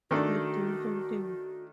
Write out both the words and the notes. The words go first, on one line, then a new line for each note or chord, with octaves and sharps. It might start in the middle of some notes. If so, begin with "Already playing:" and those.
Try doing something.
D#3 A3 D4 F#4